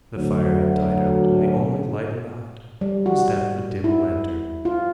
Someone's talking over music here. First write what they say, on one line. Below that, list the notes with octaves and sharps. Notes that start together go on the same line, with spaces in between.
The fire had died out, and the only light in the hut was that of a dim lantern.
D2 F#3
G3
F#4
E4
F4